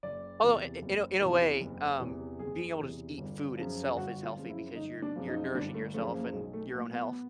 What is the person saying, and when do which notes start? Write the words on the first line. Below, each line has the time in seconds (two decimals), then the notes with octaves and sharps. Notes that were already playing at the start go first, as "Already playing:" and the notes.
Although, i i in a in a way, um, being able to s eat food itself is healthy because you're you're nourishing yourself and your own health.
0.03 F#1 D5
0.43 E2 C3 E3
0.82 F#1
1.21 E2 C3 E3
1.61 F#1
2.00 E2 C3 E3
2.39 F#1 G#4
2.79 E2 C3 E3
3.18 G1
3.57 F#2 C#3 F3
3.97 G1 F#4
4.23 F4
4.36 F#2 C#3 F3
4.50 E4
4.76 G1 D#4
5.02 D4
5.16 F#2 C#3 F3
5.28 D#4
5.55 G1 D4
5.74 A3
5.94 F#2 C#3 F3 A3
6.14 A#3
6.33 B1 G#3
6.53 A3
6.73 A2 F#3 A#3
6.93 B3